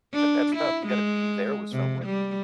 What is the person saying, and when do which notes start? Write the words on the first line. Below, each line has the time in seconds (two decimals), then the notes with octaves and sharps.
But that's tough, you gotta be there with someone.
0.13 D4
0.56 E4
0.87 G#3
1.72 C3
2.05 G3